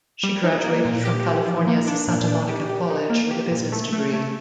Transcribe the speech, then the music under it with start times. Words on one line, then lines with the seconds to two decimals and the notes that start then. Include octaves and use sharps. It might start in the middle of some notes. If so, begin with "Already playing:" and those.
She graduated from California's Santa Monica College with a business degree.
0.23 G3
0.44 D#4
0.64 A#3
0.85 A#2
1.05 G4
1.26 F3
1.46 F3
1.67 A#3
1.87 D4
2.08 A#2
2.28 D4
2.49 G4
2.69 G4
2.90 D#4
3.10 A#3
3.31 G4
3.51 A#2
3.72 A3
3.92 A3
4.13 A3